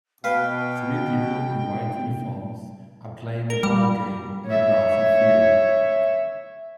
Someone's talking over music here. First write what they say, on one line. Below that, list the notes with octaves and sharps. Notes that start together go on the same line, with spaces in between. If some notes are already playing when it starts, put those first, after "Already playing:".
Three people in white uniforms are playing a ballgame in a grassy field.
B2 B4 F5 G5
A#4
G3
C#5 E5